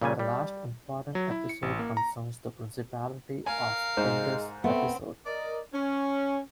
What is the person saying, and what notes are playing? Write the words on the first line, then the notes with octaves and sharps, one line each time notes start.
The last important episode concerns the Principality of Pindus episode.
A#2 C#3 G3 G#5
G3
F#3
E4
C#7
A1
A#3
A#5
A#4 F5 G#5
G#2 G#3 C5
A3 B3 C4
A#4 D5 D#5
C#4